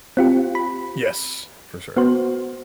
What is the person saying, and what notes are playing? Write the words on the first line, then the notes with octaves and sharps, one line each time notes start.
Yes, for sure,
C4 F4 G4
B5
B3 F#4 C5